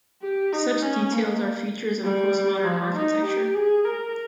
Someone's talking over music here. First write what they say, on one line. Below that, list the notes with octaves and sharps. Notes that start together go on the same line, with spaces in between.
Such details are features of postmodern architecture.
G4
D#4
C#4
A#3
G3
F3
D#4
G4
G#4
A#4